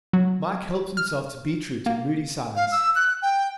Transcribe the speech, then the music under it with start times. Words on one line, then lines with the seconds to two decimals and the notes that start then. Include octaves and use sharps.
Mike helped himself to beetroot in moody silence.
0.13 F#3
0.97 F6
1.86 A#3
2.56 F5
2.72 E6
2.95 F#6
3.22 G5